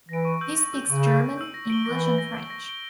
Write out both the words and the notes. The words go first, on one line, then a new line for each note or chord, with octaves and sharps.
He speaks German, English, and French.
E3 A#6 D7
C#6
E6 G6
C#6
E6 G6
C#3 C#6
E6 G6
C#6
E6 G6
A#6
D7 G7
E3 A#6
D7 G7
A#6
D7 G7
A#6
D7 G7